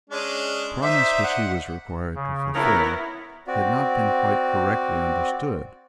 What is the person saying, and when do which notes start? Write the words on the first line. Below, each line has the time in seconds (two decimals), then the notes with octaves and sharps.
The promise which he was required to fulfil had not been quite correctly understood.
0.10 G#3 C#4 D4
0.82 D#4 C5 D5 E5
1.23 F#5
2.15 C#3
2.54 B3 E4 A#4 C#5 A#5
3.47 C4 F#4 D5